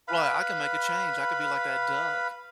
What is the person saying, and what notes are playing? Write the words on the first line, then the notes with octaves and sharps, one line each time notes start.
Right, I can make a change, I could be like that duck.
B4 F5 B5